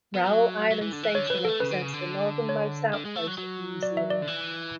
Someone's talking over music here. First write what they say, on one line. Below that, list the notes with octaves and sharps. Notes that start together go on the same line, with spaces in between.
Raoul Island Station represents the northernmost outpost of New Zealand.
B3
F#3
F#3
E3
D3
E3
D3 C#5
E3 B4
F#3
A4
A3
C#3 B4
D3
C#3
D3
C#5
D3
G#3
A3
F#3
F#3
D5
E5
D5
D3
E3